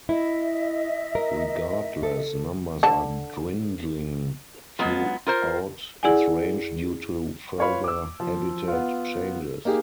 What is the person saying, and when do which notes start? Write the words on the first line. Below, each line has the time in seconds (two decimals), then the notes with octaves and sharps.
Regardless, numbers are dwindling throughout its range due to further habitat changes.
0.09 E4 D#5 E5
1.15 A#4
2.03 A4
2.83 D3 A5
4.79 F#3 G#3 B3 F4
5.26 F4 A#4 C5
6.03 E4 G#4 D5 F#5 G#5
7.58 F4 B4 C#5 F5 B5
7.84 D6 E6
8.20 F3
8.68 B3 F4
9.65 A#3 D#4 G4 G#4